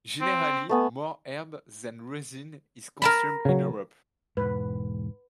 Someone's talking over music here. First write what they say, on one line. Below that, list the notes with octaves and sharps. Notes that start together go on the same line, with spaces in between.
Generally, more herb than resin is consumed in Europe.
C4
A3 B3 G#5
A#4 A5 B5
C#3 F#3
E1 G#2 B4